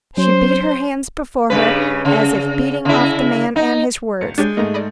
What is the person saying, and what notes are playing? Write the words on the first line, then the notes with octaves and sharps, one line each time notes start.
She beat her hands before her, as if beating off the man and his words.
F#3 C#4 C5
G2 C#3 B4
C#3
C#3 E4
D#4
G#1 C#7
G#3 D4 G4 C#5 G6 A6
G#2 A3 A#3 D#4 A#5
D5 D#5 B5